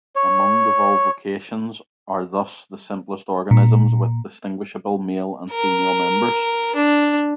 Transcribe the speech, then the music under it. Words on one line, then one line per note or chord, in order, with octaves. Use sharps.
Among the Volvocaceans are thus the simplest organisms with distinguishable male and female members.
C#5
A#2
A#4
D4